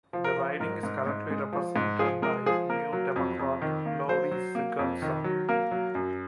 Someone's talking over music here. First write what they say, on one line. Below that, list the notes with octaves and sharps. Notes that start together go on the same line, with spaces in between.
The riding is currently represented by New Democrat Lori Sigurdson.
F3
A#4
F3
G#2 A#4
G#2
G#2
G#3
F3
G#2
F3 G#4
G#3 A#4
F3 G#4
A#3 A#4
F#3
F2
F2
D#3
A#3
F#3 C5
F#3
A#3
F2
D#3
F#3
A#3 A#4
F#3
F#2